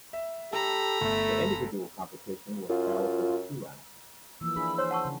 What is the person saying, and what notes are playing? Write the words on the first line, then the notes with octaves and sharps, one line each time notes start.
The individual competition was held over two rounds.
E5
G4 A4 A#5 B5
G1 A3
F#2 F4
E3 F3 A#3 E6
D4 E4 G#4 B5
C5 C#5
F#5 A5 C#6
C#3